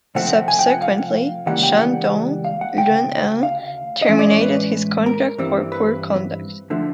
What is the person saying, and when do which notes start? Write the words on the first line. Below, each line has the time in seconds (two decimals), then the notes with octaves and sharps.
Subsequently, Shandong Luneng terminated his contract for poor conduct.
0.15 C3 F3 A3 C4 F#5
0.48 G#5
0.59 G5
0.70 F#5
0.82 F5
1.46 C#2 C#3 E3 G3 A#3 F#5
1.63 G5
1.79 F#5
2.45 F5
2.61 F#5
2.77 D2 C#3 G5
3.43 F5
4.02 D#5
4.08 A2 E3 G#3 C#4 E5
4.19 D5
4.31 C#5
4.41 B4
5.06 A#4
5.38 G2 E3 G3 C4
5.72 B4
6.70 D3 F3 A3